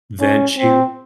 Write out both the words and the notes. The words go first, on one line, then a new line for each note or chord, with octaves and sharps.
then she
C#4
C4